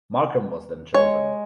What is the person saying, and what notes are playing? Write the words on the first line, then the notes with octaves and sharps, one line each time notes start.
Markham was then chosen.
G#3 C#5